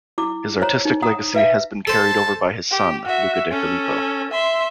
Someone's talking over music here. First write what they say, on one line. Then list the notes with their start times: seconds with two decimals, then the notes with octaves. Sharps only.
His artistic legacy has been carried over by his son Luca De Filippo.
0.18 E4 D6
0.61 C5 C#5 A#5
0.85 D#4
1.02 F#5 A#5 D#6
1.34 B4 E5 F5
1.87 A4 C5 A5
2.71 G4
3.05 F#4 E5
3.51 C#4 A4
4.31 E5 C6